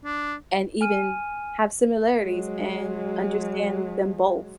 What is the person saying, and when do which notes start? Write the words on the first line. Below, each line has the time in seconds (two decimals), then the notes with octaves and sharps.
and even have similarities and understand them both,
0.05 D4
0.81 G#5 F6 D#7
2.21 F#3 G#3